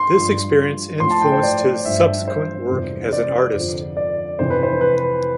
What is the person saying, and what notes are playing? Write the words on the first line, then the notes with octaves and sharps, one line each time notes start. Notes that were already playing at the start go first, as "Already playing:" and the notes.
This experience influenced his subsequent work as an artist.
Already playing: C6
G2 F3
A2 F3 C6
A5
G5
C5
D5
G2 F3 E5
C5
F2 C3 E3 G3
C5
D5
F2 D3 F3
D5
F2 C3 E3 C5
B4
C5
B4